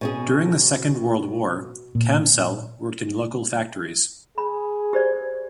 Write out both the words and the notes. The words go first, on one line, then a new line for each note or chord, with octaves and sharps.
During the Second World War, Camsell worked in local factories.
B2 C#4 G#4
A#2
G#4 B5
G4 C5 D5